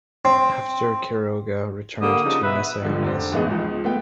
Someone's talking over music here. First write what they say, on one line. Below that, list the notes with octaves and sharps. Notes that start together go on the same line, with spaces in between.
After Quiroga returned to Misiones.
C4
D3 G3 A#3 D#6
C#3 F3 D#4
B2 B4 E5
C#2 D3 F3
F1 D4 C5
A1 E3 G#3 B3 D#4 G#4
C#2 F3
A3 B3 G5